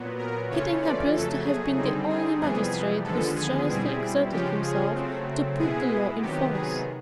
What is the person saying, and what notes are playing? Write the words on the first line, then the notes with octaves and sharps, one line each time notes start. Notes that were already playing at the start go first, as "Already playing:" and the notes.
Keating appears to have been the only magistrate who strenuously exerted himself to put the law in force.
Already playing: A#2 F#3 B3
A#4
C#3 E3 A3 C#4 F4 C#5
D5
F2 C#3 F#3 A3 A4
G#4
D3 G3 C4 D#4
G#4
F2 C3 E3 G3 B3 G#4
D#2 D3 F3 G#3 B3 A4
G#4
B2 G3 C4 E4
C#3 F3 G#3 C#4 F4 G4
G#4
C#3 F#3 A3 C4
B2 G#3 B3 E4 G#4
C3 D#3 F#3 B3 G4
G#4